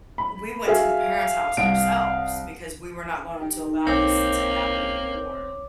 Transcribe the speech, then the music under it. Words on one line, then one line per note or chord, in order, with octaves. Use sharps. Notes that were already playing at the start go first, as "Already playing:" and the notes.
we went to the parents' house ourselves because we were not going to allow this to happen anymore,
B5
F#4 G#4 E5 F5
C2 D7
D#4 G4
B1 A#3 C4 C#5 D6 G6